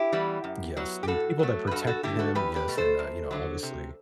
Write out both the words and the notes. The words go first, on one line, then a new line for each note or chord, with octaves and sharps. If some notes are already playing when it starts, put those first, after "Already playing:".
Yes, the people that protected him Yes, and, uh, you know, obviously
Already playing: E4 G4
E3 G3 B3
F#2
F#3 B3
G4
A2 F#4 A4
F#3 A3
B4
G2 F#4 A4
F#4 A4
D3 A3 E4 G4
F#4 A4
E2 G4 B4
G4 B4
B2 A3
A4 C5
F#2
D3 F#3
C3